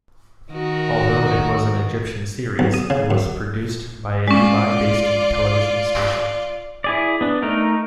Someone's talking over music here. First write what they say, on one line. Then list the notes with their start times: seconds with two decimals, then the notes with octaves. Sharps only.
Although it was an Egyptian series, it was produced by a Dubai-based television station.
0.51 D#3 F#4 A#4
2.59 B1
2.74 D#6
2.90 C#3
3.11 F#2
4.28 G#3 C#4 F4 D5
6.84 E4 G#4 D5
7.21 B3 D4
7.43 A3 D#4 A#4